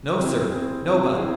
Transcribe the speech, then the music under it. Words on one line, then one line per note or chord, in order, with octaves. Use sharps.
"No, sir, nobody."
C4 E4 G#4
C4 E4 G#4
C4 E4 G#4
C4 E4 G#4